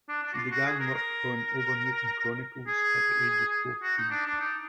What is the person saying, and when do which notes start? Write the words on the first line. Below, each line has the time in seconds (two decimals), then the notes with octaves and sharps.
She began work on "Obernewtyn Chronicles" at the age of fourteen.
0.09 D4
0.23 D4
0.33 F#4
0.37 F4
0.52 F#4
0.66 G#4
0.80 A#4
0.94 A#4
2.68 G#4
3.82 F#4
3.97 D#4
4.11 D4
4.26 D4
4.40 D#4